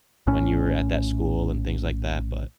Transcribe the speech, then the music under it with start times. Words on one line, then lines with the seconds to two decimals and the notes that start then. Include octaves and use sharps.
when you were at that school and things like that, but
0.27 A#1 A2 C#4